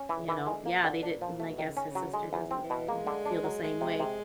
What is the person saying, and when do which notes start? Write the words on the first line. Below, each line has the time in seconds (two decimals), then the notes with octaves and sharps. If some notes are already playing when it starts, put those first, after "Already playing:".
you know. Yeah, they didn't I guess his sister doesn't, you know, feel the same way.
Already playing: C#4
0.09 E3
0.16 C#3
0.28 E3
0.41 D3
0.47 G#3
0.66 A#2 A#3
0.84 D3
1.03 D4
1.21 F3
1.40 B2 A3
1.58 D#3
1.65 C#3
1.77 C#4
1.90 C#3
1.95 F#3
2.14 D3 G#3
2.33 E2
2.51 C4
2.63 E3
2.70 B2
2.88 G#3 A#3
3.07 D3
3.26 D4
3.44 F#3
3.63 G#3 A3
3.81 C3
4.00 C3